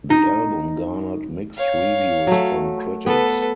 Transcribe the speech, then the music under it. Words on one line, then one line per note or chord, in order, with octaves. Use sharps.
The album garnered mixed reviews from critics.
D#4
C#5 F5
F#3 A3
B3 A4 B4